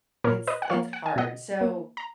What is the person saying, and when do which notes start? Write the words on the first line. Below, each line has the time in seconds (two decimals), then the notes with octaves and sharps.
It's it's hard. So
0.24 A#2 A#4 C#5
0.47 B4 D#5
0.62 F#5
0.70 F3 A#3 C#5 F5
0.93 F#5
1.06 G#5
1.16 B2 D#5 F#5
1.61 A#3
1.97 A#5